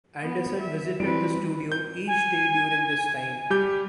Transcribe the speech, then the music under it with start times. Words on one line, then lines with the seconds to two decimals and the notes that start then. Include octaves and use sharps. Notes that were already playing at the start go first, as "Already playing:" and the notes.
Anderson visited the studio each day during this time.
0.20 B3
0.59 E5
1.00 E3 G3 C4 B4 D7
1.72 G6
2.07 G#5
3.50 G3 G4 G6